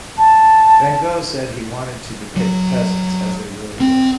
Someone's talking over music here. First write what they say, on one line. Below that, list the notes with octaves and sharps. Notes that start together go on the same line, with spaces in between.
Van Gogh said he wanted to depict peasants as they really were.
A5
F#3
C4